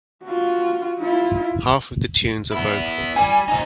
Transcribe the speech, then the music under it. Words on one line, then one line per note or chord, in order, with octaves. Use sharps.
Half of the tunes are vocal.
F4 F#4
E4 F4
B3 E4
G3 G#5
F2 D#4